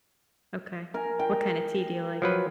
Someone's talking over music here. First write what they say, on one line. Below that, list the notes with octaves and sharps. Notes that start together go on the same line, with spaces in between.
Okay. What kinda tea do you like?
A#4 G#5
G5
F3 F#3 B4